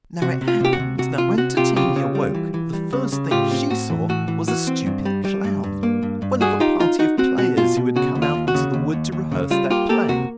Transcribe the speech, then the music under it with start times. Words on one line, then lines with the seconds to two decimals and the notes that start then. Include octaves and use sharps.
Now, it happened that when Titania woke the first thing she saw was a stupid clown, one of a party of players who had come out into the wood to rehearse their play.
0.22 C3 F#4
0.41 C3
0.48 F4
0.60 C3 G4
0.73 F#4
0.80 C3
0.99 C3 F#4
1.18 C3 F4
1.38 C3 F#4
1.57 C3 F4 G4
1.76 C#3 F4 G4
1.96 C#3
2.15 G3
2.34 E3
2.54 E3
2.73 G3
2.93 C#3
3.12 C#3
3.31 A2 F4 G4
3.51 C4
3.70 A2 F#4
3.90 E3
4.09 A2 F#4
4.28 E3
4.48 E3 F#4
4.67 C4
4.86 G2
5.05 G3
5.25 G3
5.44 G2
5.64 G2
5.83 A#3
6.03 G2
6.22 G2
6.41 G3 F#4 G#4
6.60 D#4 F4 G4
6.80 D#4 F4
6.99 D#4 F#4
7.18 C4 F#4
7.38 B2 F#4
7.57 B2 F4
7.77 B2
7.96 C#3 F#4
8.15 D#2
8.22 F4
8.35 D#2
8.48 F#4
8.54 C#3
8.74 D#2
8.93 D#2
9.12 D#2
9.32 C#3
9.51 G3 F4
9.70 A#3 F4 G4
9.89 A#3 G4 A4
10.09 C3 F#4